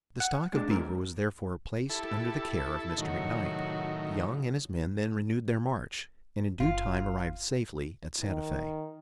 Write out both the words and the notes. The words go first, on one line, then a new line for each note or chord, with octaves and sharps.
The stock of beaver was therefore placed under the care of Mr. McKnight. Young and his men then renewed their march, and in due time arrived safely at Santa Fe.
F#5
G#3 D4
G#2 F#3 A#4
E4 G4 A4
A2 C3 D#3 F#3 F#4
F#1 F4
D#3